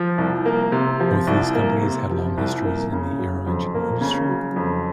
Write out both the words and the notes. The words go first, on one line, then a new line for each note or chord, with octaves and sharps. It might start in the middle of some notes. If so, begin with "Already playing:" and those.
Both of these companies had long histories in the aero-engine industry.
Already playing: F3
C2
A#3
C3
F3
C2
A#3
C3
F3
C2
A#3
C#3
F#3
F2
A#3
C#3
F#3
F2